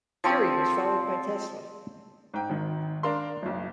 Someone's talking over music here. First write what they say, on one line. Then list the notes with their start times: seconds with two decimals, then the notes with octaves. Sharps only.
Curie was followed by Tesla.
0.24 F3 C4 C#6
2.34 G#2 G5
2.49 G#1 D#3
3.03 D4 A#4 F5 C6
3.42 F#1 B1